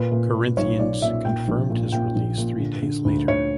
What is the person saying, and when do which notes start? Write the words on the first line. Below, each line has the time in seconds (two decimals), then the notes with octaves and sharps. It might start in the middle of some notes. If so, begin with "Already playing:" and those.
Corinthians confirmed his release three days later.
Already playing: A#2 B4
0.12 A#2
0.35 A#2
0.57 B1 C#5
0.79 B1 D5
1.02 A#2 E5
1.25 A#2 G5
1.48 A#1
1.70 A#2
1.92 A#2 G5
2.15 A#1
2.38 A#2
2.60 D3
2.82 D3
3.05 D2
3.28 D2 C#5